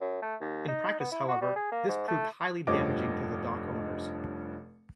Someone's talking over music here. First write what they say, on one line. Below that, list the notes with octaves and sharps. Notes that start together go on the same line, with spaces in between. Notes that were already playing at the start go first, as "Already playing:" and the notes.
In practice, however, this proved highly damaging to the dock owners.
F#2
A3
D#2
D#4
B3
E4
F#4
G3
G#4
A#3
G#2
A3
F1 G2 F3 C#5 D#5 D6